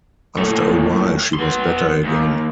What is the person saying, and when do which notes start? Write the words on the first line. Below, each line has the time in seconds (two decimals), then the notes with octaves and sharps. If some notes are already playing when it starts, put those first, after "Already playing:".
After a while she was better again.
0.38 A#2 A3
1.34 B3 C6
2.04 D#2